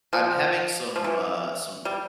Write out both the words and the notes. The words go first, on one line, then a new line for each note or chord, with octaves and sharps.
I'm having some, uh some
F3
F3
E3
G3